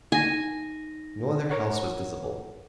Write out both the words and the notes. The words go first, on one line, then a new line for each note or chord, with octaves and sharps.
No other house was visible.
D#4 G#5 A#6
A#4 C#5 F#5